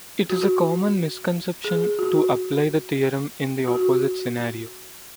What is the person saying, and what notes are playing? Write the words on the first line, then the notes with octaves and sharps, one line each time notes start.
It is a common misconception to apply the theorem in the opposite scenario.
F#4
G#4
F#4
F#4